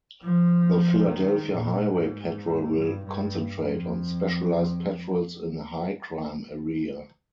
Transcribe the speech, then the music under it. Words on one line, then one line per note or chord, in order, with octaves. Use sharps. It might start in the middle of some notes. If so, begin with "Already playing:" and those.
The Philadelphia Highway Patrol will concentrate on specialized patrols in high-crime area.
F3
D#3
A#2
G#2
G2
G2
F2